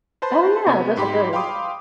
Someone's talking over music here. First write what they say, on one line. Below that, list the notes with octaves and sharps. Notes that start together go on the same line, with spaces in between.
Oh, yeah. Those are good.
B4 C5 A5 B5 C6
C3 B3
G#2 G4 B5 C6
F5 G5 B5 C6 D6 D#6